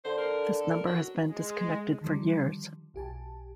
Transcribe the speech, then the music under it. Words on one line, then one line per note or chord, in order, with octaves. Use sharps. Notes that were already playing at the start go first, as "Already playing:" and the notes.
This number has been disconnected for years.
D3 C5
A#4
A4
A#4
F#3
G#3
D3 D#3 F3 G3
B1 G4 G#5 A5